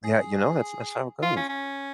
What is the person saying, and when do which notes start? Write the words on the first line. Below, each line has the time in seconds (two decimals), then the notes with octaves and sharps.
Yeah, you know, that's that's how it goes.
0.04 G#4
1.22 F4
1.36 C#4
1.49 C#4